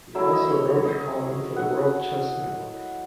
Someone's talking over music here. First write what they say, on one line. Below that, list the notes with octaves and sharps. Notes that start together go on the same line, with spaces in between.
He also wrote a column for the World Chess Network.
F#3 A3 E4 E5
D#5
C#5
D#5
F#5